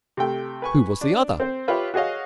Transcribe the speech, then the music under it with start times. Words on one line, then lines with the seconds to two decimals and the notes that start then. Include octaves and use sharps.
Who was the other?
0.17 C3 A3 G5
0.62 B4 G#5 C#6
1.01 D4
1.40 C4 C5
1.68 F4 G4 B4 C#5 E5
1.94 F#4 G#4 C#5 D#5 F5